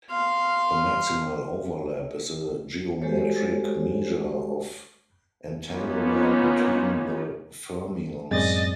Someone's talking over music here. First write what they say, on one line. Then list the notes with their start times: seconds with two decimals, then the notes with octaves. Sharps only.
The maximal overlap is a geometric measure of entanglement between the fermions.
0.10 F5 C6
3.02 G#3 F#4 G4 A4 C5 C#5
5.69 A#3 B3 C#4 D#4 F4
8.31 F#2 A2 G#3 C4 D5 D#5 A6